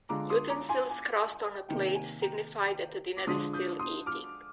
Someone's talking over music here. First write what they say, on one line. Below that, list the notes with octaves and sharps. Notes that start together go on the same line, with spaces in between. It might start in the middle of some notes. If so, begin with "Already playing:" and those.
Utensils crossed on a plate signify that a diner is still eating.
D3 G#3 D4 F4 A#5 D6
C6 D#6
A#5 D6
G#5 C6
G#5
C3 D#3 A#3 D#4 G5
G#5
G5 A#5
D6
D3 F3 G#3 D4 C6 D#6
D#6 G6
C6 D#6
D6 F6